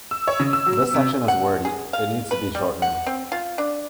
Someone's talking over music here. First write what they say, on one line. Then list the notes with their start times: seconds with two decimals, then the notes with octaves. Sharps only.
This section is wordy, it needs to be shortened.
0.11 E6
0.28 C#5
0.40 C#3
0.53 E6
0.66 F#3
0.82 B3
0.94 C3
1.28 F#5
1.65 G#4
1.93 F5
2.31 B4
2.55 G3
2.82 F#5
3.07 C4
3.32 F4
3.58 D4